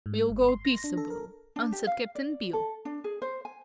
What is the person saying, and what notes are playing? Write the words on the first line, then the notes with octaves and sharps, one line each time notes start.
"We'll go peaceable," answered Cap'n Bill.
G#2
G1
C6
A#6
D4
A4
A#4
D4
G4
F5
D5
A4
D4
G#4
C5
G#5